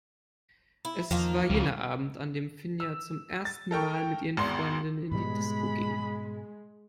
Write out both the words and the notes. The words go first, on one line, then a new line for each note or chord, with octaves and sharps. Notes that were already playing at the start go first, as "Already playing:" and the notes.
Es war jener Abend, an dem Finja zum ersten Mal mit ihren Freundinnen in die Disco ging.
E4
E2 D#3 F3 A#3 F4
C#2 C#3 G3
E6
A6
A4 A#4 G5 C#6
G#1 E2 C6
G#2 B2 G3 G#3 B5